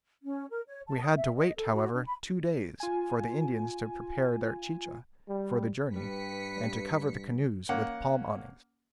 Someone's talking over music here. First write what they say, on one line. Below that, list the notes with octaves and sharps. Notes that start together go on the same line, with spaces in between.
We had to wait, however, two days for the Indians to prepare their chicha for the journey and to cover the canoes with palm awnings.
C#4
A#4
C#5
A5
D#6
E5
D#5
A4
F#4
D4
B5
F4 G#5
G3
G2 G3 B4 B6 C#7
A#3 C#4 F#5